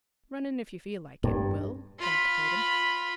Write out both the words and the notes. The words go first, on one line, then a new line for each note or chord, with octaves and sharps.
"Run in, if you feel like it, Will," Frank told him.
G2
F4 B5